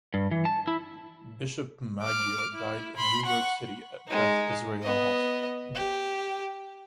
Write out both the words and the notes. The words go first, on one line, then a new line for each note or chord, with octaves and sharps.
Bishop Magyar died in New York City at Beth Israel Hospital.
G2
E3
A5
E4
D6 F6
E4
B5 C6
F#5 C#6
G#3 D#4
B3 D#5
G4